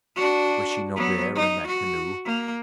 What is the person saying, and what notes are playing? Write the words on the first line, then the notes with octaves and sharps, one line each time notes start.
Was she not there in that canoe?
D4 F#4
F#3 B3
D#4
F#4
A#3